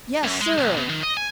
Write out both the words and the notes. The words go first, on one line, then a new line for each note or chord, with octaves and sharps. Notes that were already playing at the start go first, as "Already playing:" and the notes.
"Yes, sir."
F#2
G#3
B1
B2
D#3
D#5
G#5